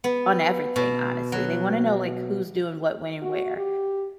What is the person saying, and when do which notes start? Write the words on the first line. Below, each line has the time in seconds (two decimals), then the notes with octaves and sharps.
on everything, honestly, they wanna know, like, who's doing what, when and where,
0.04 B3
0.76 B2
1.32 F#3
3.22 F#4
3.57 G4